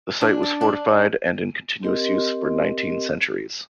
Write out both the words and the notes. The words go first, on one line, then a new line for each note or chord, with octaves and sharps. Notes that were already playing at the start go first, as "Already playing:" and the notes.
The site was fortified and in continuous use for nineteen centuries.
D4
D5
D4
C4 G4 A#4 D#5 C6